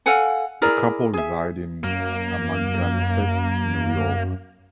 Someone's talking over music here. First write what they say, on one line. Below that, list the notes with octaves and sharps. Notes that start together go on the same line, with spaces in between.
The couple reside in Amagansett, New York.
A4 F5 F#5 G#5
E4 G#4 A#4 D5
G#4 E5
F#2 A#3